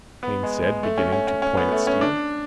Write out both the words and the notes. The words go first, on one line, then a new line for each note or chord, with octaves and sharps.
Haines said, beginning to point at Stephen.
B3
G#3
G#3
A3
C#4
C#4
C#4
C#4
B3
A3
C#4
D4